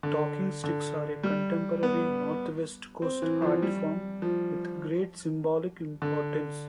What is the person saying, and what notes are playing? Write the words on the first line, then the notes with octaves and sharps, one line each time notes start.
Talking sticks are a contemporary Northwest Coast art form with great symbolic importance.
D3
D3
G3
B3
C4
E3
F3
G3
F3
D3